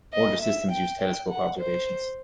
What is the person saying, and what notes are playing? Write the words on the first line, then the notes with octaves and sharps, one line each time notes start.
Older systems use telescope observations.
D#5
E5
G5
G5
F#5
C5